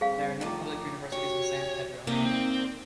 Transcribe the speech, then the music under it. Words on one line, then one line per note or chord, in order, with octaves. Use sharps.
There are no public universities in San Pedro.
G3 C4 G#4 C5 F5
A2 F3 A#5 D6
F#4 G4 C#5
C3 A#3 D#4 D5
C4